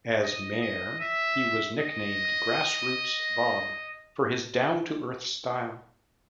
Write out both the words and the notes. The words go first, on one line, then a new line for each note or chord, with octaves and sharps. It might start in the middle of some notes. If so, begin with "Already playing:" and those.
As mayor, he was nicknamed "Grassroots Bob," for his down-to-earth style.
D#5
D#5
E5
D#5